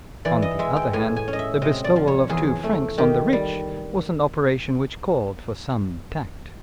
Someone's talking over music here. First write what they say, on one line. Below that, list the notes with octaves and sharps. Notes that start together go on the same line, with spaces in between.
On the other hand, the bestowal of two francs on the rich was an operation which called for some tact.
E3 D5
D#5
G#3 E5
G5
A2 G#5
G#5
C#4
D#5
E5
C3 D#5
D5
F3
C#5
E2 G#4
A3
D#3 G4
G3